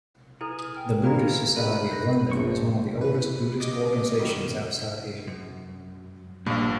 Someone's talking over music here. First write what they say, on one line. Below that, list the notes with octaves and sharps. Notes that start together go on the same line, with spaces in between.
The Buddhist Society of London is one of the oldest Buddhist organisations outside Asia.
E4 G#4 A4 B4
G5 F6
A#3 E4 G4 A#4 C5 D5 F5 A#5
G#4 B4 D#5 E5
F#6 G6 A#6
A#1 A3 C5 C#6
E3 B4
C#3 D#5 D6
B2 D#3 G3
F#2
A#1 G2 A#2 F3 A#3